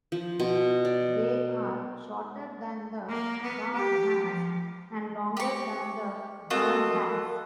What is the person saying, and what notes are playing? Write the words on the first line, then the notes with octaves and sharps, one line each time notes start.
They are shorter than the guard hairs and longer than the down hairs.
F3
B2
D5
A#3
B3
G4
F3
G4 C#6
C4 F4 F#4 A4 A#4 D#5